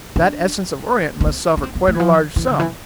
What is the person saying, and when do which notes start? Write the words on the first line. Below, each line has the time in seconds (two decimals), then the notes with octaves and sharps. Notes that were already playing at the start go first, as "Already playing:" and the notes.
"That Essence of Orient must sell for quite a large sum."
0.16 D4
1.21 D4
1.27 C4
1.57 D4
1.63 C4
1.75 B3
1.88 A3
1.95 E3
2.00 F3
2.36 E3
2.48 D3
2.60 E3